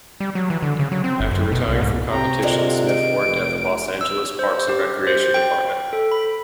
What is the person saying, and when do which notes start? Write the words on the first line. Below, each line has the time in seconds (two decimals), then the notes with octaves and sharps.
After retiring from competitions Smith worked at the Los Angeles Parks and Recreation Department.
0.20 G3
0.35 F#3
0.50 E3
0.62 D3
0.79 C#3
0.92 F#3
1.04 C4
1.20 G1
1.31 F#2
1.52 B2
1.68 C2
1.81 G#2
2.11 C3 G5 A#5
2.42 D3 G#3 A#3 F4
2.89 D#3 D7
3.24 F1
4.01 E6
4.39 C5
4.69 G4
5.07 C5
5.34 G5
5.93 A4
6.12 B5